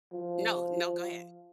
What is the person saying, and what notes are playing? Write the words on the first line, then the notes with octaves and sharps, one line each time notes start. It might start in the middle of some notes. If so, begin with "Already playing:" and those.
No, no, go ahead.
F3